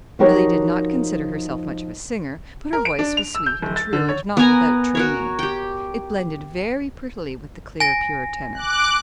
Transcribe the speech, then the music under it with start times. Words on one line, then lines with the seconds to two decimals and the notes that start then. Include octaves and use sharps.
Billy did not consider herself much of a singer, but her voice was sweet and true, and not without training. It blended very prettily with the clear, pure tenor.
0.19 F3 D#4 F#4 G4 A#4 C#5
2.73 A#4
2.85 D7
2.99 D4
3.17 F7
3.35 E6
3.46 G6
3.62 D1
3.76 A6
3.93 D3
4.09 C#5
4.37 B3 A#4 G#5 A#5
4.95 F#4 A#4 C#5
5.39 G4 G5
7.80 G#5 A#6
8.54 D6 F#6